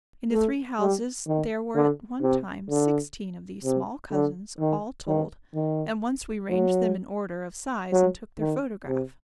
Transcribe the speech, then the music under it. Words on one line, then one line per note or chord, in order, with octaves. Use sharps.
In the three houses there were at one time sixteen of these small cousins, all told, and once we ranged them in order of size and took their photograph.
A3
G3
D#3
D3
C3
D3
C3
D3
D#3
D#3
D#3
F#3
F#3
D#3
C3